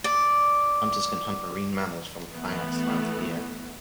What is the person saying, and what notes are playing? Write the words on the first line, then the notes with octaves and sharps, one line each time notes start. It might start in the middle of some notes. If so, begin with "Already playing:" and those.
Hunters can hunt marine mammals from kayaks throughout the year.
D5 D6
E3 A3 B3